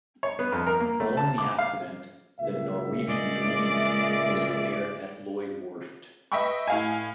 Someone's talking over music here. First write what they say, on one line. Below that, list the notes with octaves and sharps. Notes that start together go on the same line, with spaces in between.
Following the accident, the "Norwegian Dream" was repaired at Lloyd Werft.
C#5
B3
F2
A#4
A#3
A3
A5
D6
F5
C#2 A#2 E5
G#3 D5
B4 D#5 E5 G5 B5 C#6
A2 F5 G#5